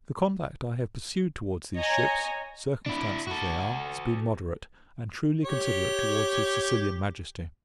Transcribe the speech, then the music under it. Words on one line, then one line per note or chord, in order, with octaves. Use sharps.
The conduct I have pursued towards these ships, circumstanced as they are, has been moderate, and truly considerate towards his Sicilian Majesty.
C#5 D#5 G#5 A#5
D4 E4
F#4 A4
G4 C#5